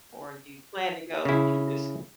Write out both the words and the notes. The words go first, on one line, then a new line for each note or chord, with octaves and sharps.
or you plan to go, but you're just
C#3 E4